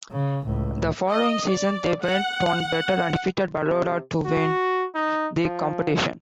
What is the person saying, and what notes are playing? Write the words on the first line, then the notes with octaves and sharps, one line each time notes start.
The following season, they went one better and defeated Baroda to win the competition.
C#3
C#2 A2
D#5
D5
F#5
C3
F#4
D#4
F3